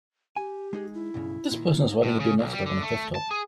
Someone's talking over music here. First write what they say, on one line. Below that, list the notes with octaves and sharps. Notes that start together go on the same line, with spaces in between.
This person is riding a BMX bike on a clifftop.
G4 G#5
G#3 D#4 G#4
E4
B1 G2 C#3
A#2 D#3
A2
C#3
B1
G3
D3
A3
A5
G#4